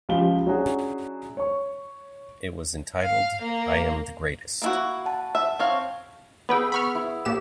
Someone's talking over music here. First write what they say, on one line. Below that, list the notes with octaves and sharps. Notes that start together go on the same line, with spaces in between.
It was entitled I Am the Greatest!
C#2 F3 G4 F5 G7
F#3 C#4 D4 E4 F#4 G#4
C#5 C#6
F5
A#3
A#3 E4 F#4
F#5 A5
E5
C4 C#5 F5
B3 G#4 B4 E5 G5 B5
B3 B5 C#6 F6
E4
A#2 G4 E7